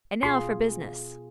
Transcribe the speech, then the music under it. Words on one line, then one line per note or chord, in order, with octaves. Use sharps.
And now for business.
B2 F4 G#4 C6